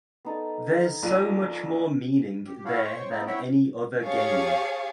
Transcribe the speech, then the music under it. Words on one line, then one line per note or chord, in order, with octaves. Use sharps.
There’s so much more meaning there than any other game.
B3 D#4 A4
A#1 D#7
G4
E4 F#4 A4 C#5 F5 F#5
C5 C#5 G5 C#6
A#3 D#4 E4
C4 E4 C#5 E5 F#5 G5
G4 G#4 C#5 F5 A5 C#6